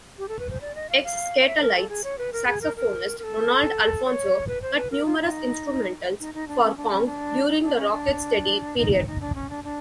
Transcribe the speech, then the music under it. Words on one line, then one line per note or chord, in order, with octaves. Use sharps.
Ex-Skatalites saxophonist Roland Alphonso cut numerous instrumentals for Kong during the rocksteady period.
G4
A4
B4
C5
D5
D#5
F5
F5
F5
E5
A#4
A4
G#4
C#5
B4
A#4
G#4
A#4
A#4
A#4
A4
C#5
B4
C5
B4
A#4
F4
D#4
D#4
D#4
D4
C#4
D4
C#4
D4
D#4
D4
C#4
D4
D#4
D#4
D#4
D4
C#4
D4
D4